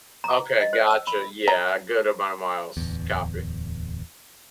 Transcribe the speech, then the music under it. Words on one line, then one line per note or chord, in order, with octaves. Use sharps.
Okay, gotcha, yeah, good amount of miles. Copy.
A#5
D#5
C5
E6
B5
A#5
D1 E2